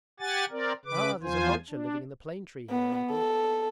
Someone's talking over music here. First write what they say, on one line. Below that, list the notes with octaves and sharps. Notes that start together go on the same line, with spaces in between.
'Ah, there's a vulture living in the plane tree here, Uncle.
G4 F#5 G#5 A6
C4 A#4 D5
C#3 B4 D6
E2 F3 F4 C5 G#5
D4
B3
A4